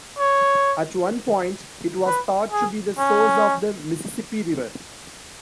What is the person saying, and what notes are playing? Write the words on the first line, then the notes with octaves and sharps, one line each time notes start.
At one point it was thought to be the source of the Mississippi River.
C#5
B4
G#4
C#4